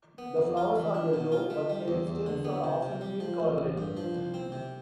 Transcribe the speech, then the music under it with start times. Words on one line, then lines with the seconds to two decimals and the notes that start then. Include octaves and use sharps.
The flowers are yellow, but their stems are often pink or red.
0.18 B3
0.37 F2
0.57 F4
0.76 E3
0.94 D4
1.14 B2
1.32 F4
1.50 A3
1.70 G3
1.88 E2
2.07 E2
2.26 D3
2.45 B3
2.64 C3
2.83 C3
3.01 G3
3.20 F3
3.40 A1
3.58 A1
3.78 G2
3.97 F3
4.14 C2
4.34 C4
4.52 C3